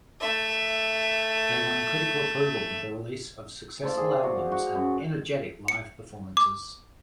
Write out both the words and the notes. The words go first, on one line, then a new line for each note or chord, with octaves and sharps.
They won critical approval with the release of successful albums and energetic live performances.
A3 E5
A4 C5 D5 F5
G#4
F#4
F#4
F#2
C#7
D6